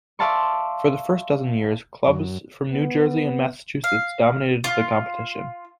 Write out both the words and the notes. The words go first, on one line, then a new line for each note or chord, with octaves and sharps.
For the first dozen years, clubs from New Jersey and Massachusetts dominated the competition.
D5 E5 F5 A5 C6 C#6
F#2
B3
F5
F4